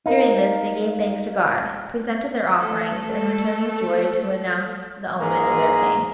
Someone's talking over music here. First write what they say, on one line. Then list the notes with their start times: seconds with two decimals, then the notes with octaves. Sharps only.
Hearing this, they gave thanks to God, presented their offerings, and returned with joy to announce the omen to their king.
0.06 D#4 A#4 F5
2.59 A3 A4
5.20 G#2 G#3 A#3 G#4 A#5